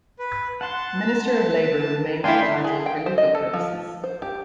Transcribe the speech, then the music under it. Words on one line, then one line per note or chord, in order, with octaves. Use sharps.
"Minister of Labour" remains the title for legal purposes.
B4
F#5 A5 C6
A3 D4 E4 F5 G5 G#5 C6
G#4
G5
C5
D#5
A4
F3
C5
G4